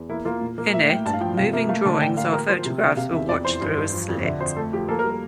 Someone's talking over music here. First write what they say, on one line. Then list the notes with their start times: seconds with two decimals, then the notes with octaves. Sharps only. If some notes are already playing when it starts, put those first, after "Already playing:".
In it, moving drawings or photographs were watched through a slit.
Already playing: E2
0.10 A#3 E4
0.25 A#3 F4
0.41 A#2
0.58 A#3
0.73 A2 E5
0.89 A2 G5
1.06 G2 A5
1.14 F5
1.21 F3 G5
1.37 C3 F5
1.53 A#3 E5
1.69 A3 F5
1.85 D3 A5
2.01 A2 G5
2.17 A#3 F5
2.33 A#3 A#4
2.49 F3 C5
2.65 C3
2.81 A#3
2.97 C3 F5
3.13 E2 E5
3.29 F2 D5
3.44 E3 C5
3.61 G2
3.77 G2
3.93 F3
4.09 F2
4.24 D3 E5
4.40 F2 C5
4.56 A3 A4
4.73 F3 G4
4.88 A#3 A4
4.99 A#4
5.04 G3
5.10 A#4